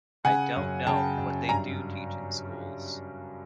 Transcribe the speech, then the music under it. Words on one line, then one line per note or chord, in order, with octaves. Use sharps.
I don’t know what they do teach in schools.
C#3 F#5 G#5
F#2
C#3 G5 A5
F#2
G2 G#5 A#5